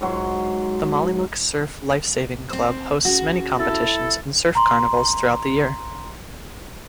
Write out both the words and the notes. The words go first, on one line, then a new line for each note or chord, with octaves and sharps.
The Mollymook Surf Lifesaving Club hosts many competitions and surf carnivals throughout the year.
G#2 F#3 C6
C4 C5
C#3 F#4
E4 A4
A#5 C6